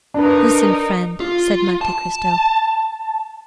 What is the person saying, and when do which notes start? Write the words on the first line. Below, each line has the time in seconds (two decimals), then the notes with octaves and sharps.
"Listen, friend," said Monte Cristo.
0.14 D4 D#4 A#4 B4
1.20 F4
1.81 A5